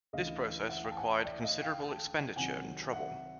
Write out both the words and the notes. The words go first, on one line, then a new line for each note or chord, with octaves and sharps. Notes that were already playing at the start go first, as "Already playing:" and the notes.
This process required considerable expenditure and trouble.
D2 C#3 E3 D#5 F5
E5 F#5
F5 G5
A5
F#5 G#5
G5 A5
D5 E5
D#5 F5
F5 G5
G5 A5
C2 C3 D#3 F#3 F#5 G#5
E5 F#5